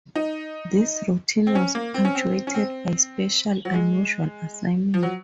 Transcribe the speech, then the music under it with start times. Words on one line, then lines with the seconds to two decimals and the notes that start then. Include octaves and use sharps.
This routine was punctuated by special unusual assignments.
0.16 D#4
1.47 C4
1.55 C#4
1.75 A#3
1.94 C4
2.05 C#4
2.15 C4
2.47 C#4
2.55 C4
3.65 F#3
3.74 G#3
4.94 F3
5.03 F#3